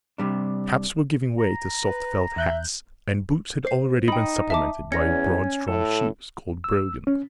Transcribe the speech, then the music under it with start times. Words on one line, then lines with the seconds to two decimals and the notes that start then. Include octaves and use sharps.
Caps were giving way to soft felt hats, and boots had already been supplanted by broad, strong shoes, called brogans.
0.18 C3 G3 D4
1.39 A#5
1.83 B4
2.36 E2 E5 F#6 G6
3.65 C5 C7
4.08 D#4 G5 B5
4.50 E5 A5 D6
4.92 E2 C#4 D5 A#6 C#7
5.68 A2 A4
6.64 E6
7.07 C#4